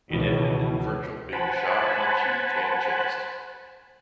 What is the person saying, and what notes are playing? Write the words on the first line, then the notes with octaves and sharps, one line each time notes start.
It ended in Virgil being shot in the cheek and chest.
C#2 B2 D#3 E3
C5 F#5 G#5 A5 B5